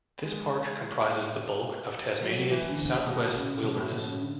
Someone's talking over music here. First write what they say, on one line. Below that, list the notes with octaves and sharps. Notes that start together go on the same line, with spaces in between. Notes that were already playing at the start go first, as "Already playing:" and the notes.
This park comprises the bulk of Tasmania's South West Wilderness.
G#3
F#3
E3
D3
B2
C#3
B2
A2
B2
C#3
D3